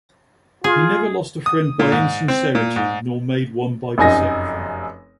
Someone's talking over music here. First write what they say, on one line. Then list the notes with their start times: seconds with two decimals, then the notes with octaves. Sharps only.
He never lost a friend by insincerity nor made one by deception.
0.64 F4 G#4
1.46 D#6
1.79 A#2
1.92 G#2
2.28 C4
2.55 A#2
2.76 G#2
3.98 F1 F#2 D#4 G#5 A#6